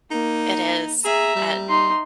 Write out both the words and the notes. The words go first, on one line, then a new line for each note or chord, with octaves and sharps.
it is, and
A#3 D#4
G#4 E5 A#5
G3
D#4 C6